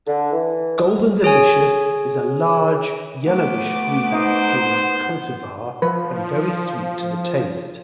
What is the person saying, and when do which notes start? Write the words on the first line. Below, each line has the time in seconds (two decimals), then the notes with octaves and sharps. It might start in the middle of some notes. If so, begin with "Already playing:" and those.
Golden Delicious is a large, yellowish-green skinned cultivar and very sweet to the taste.
0.07 D3
0.33 E3
0.78 D#5
1.24 G#4 C#5 G#5
3.26 A3 B3 D6
4.12 D#4 C5
5.82 F3 B4